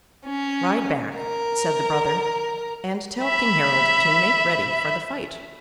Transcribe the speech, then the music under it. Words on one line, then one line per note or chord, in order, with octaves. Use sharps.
'Ride back!' said the brother, 'and tell King Harold to make ready for the fight!'
C#4
A#4
E5 B5